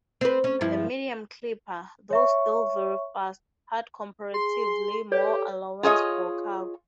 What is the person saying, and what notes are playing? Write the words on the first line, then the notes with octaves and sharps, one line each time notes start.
The medium clipper, though still very fast, had comparatively more allowance for cargo.
C4 B4
C#4
G2 F3 E4
C#5 E5 C#6
G#4 C6
G4 A4 B4 C#5 D5
F4 G#4 C#5 D#5